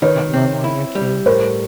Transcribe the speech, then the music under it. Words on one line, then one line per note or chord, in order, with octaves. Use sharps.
love on your kids.
D#3 B4 C#5
C4
E4
G3
A2 A#4 C5